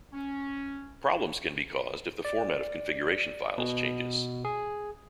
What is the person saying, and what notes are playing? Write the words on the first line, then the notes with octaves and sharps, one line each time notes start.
Problems can be caused if the format of configuration files changes.
C#4
D5
B2
G#4